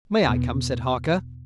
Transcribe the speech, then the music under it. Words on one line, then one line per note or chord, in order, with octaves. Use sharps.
"May I come?" said Harker.
E2 B2 B3